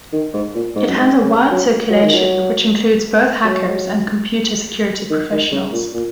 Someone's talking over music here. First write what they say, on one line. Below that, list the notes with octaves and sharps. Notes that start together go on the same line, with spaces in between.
It has a wide circulation which includes both hackers and computer security professionals.
D#3
G#2
A#2
G#2
F#2
G#2
C#3
F#3
F#3
D#3
F#3
F#3
D#3
D#3
C#3
A#2
A#2